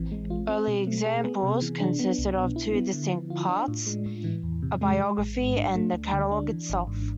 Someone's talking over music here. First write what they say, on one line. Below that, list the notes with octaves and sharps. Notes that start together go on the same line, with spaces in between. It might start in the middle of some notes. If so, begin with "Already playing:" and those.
Early examples consisted of two distinct parts, a biography and the catalogue itself.
Already playing: A1 E3 C4
G#3
F4
C4
B2
A3
G#4
B3
C3
E3
D4
B3
C2
B2
E4
B3
D3
F3
F4
D4
A2
G#3
A2
E3
E2
C3
G#3
G#3
A1
G#2
D4
A3
D2
D3
D4
E3
G#1
G#2